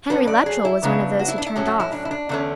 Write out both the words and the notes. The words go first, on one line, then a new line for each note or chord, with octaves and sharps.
Henry Luttrell was one of those who turned off.
A2 F#3 C#4 B4
D5
G#4
E4
C#3 F#3 B3 D4
F#4
E4
D4
E4
A2 F#3 C#4
F#4
E4
D4
E4
D4
E2 D3 A3 C#4